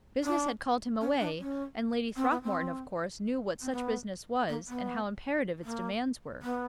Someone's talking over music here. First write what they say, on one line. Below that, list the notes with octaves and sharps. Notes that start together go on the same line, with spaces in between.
Business had called him away, and Lady Throckmorton, of course, knew what such business was, and how imperative its demands were.
D4
C#4
D4
C#4
C4
B3
C4
C4
B3
A#3
B3
A#3
B3